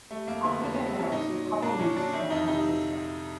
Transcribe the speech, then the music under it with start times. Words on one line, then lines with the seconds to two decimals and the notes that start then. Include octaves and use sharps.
After their marriage the couple moved to San Francisco.
0.11 G3 A3
0.27 F2 A#3
0.44 D3 B3
0.61 F2 B3
0.74 G3 B3
0.87 C4
0.95 F2 C#4
1.12 A#2 D#4
1.29 F#3
1.46 F#3
1.63 A#2 D4
1.79 A#2 C#4
1.97 F#3 D4
2.13 D#3 E4
2.30 F2 D#4
2.48 C3 D#4